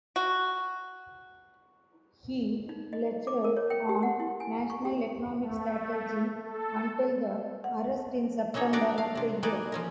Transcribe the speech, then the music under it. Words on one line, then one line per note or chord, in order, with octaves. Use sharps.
He lectured on "national economic strategy" until the arrest in September of the year.
F#4
D#4
D#5
D6
A#4
C#5
G5
G4
F#5
E4
G#5
C#6
G4
A3
A4
F#5
F#3 A#3 C#4 D#4 C#5
D4 D#4 F#4 A#4 D5 A#5
F5
C3 D4
A#3 D#4 F#4 G#4 B4 D5
F3 C#4 A#4